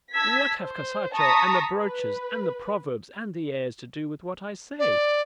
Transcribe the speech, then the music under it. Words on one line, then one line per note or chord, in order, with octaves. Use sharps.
What have Cascajo, and the broaches and the proverbs and the airs, to do with what I say?
A5 E6 G#6 B6
C5
A5 A#5 C#6 D#6 A#6 B6
B4
D5